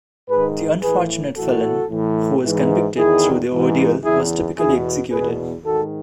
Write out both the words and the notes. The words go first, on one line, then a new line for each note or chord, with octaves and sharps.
The unfortunate felon who was convicted through the ordeal was typically executed.
G#2 D#3 G#4 B4
A2 E3 G#4 B4
A2 E3 F#4 A4
A2 E3
G#2 E3
E2 D#3 E4 G#4
G#2 E3
E2 C#3 E3 E4 G#4
E2 B2 E4 G#4
E2 B2 G#4 B4
G#2 D#3 F#4 A4